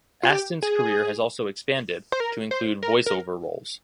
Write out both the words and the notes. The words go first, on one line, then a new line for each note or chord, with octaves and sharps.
Astin's career has also expanded to include voice-over roles.
F4
G4
G#4
C5
A#4
C5
A#4
A#4